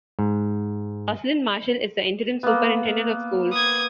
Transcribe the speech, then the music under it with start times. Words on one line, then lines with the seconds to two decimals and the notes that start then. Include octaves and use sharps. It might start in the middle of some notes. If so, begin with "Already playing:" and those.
Roslin Marshall is the Interim Superintendent of Schools.
0.19 G#2
2.43 A#3 B3
3.53 D#6 G#6